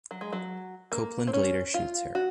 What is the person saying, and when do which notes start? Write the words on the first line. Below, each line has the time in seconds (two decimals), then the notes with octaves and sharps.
Copeland later shoots her.
0.11 F#3
0.21 G#3
0.33 F#3
0.92 A#3
1.27 C4
1.33 C#4
1.74 F4
2.15 F#4